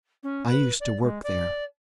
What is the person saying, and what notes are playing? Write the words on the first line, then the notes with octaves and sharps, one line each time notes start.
"I used to work there."
C#4
B4
D5
G#3
D5